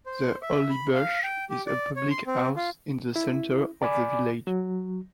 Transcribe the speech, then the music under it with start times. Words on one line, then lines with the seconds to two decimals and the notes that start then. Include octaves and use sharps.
"The Holly Bush" is a public house in the centre of the village.
0.06 C5
0.42 E5
0.70 B5
0.94 F5
1.23 G5
1.50 G4
1.67 D5
1.96 C#5
2.11 C6
2.27 C4
2.56 F4
3.16 E4
3.83 D5 G#5 B5 D6
4.47 F#3